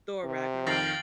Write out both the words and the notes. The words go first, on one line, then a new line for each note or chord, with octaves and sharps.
Thor: Ragnarok.
C3
F2 D#3 F5 G5 A6 A#6 C7 F#7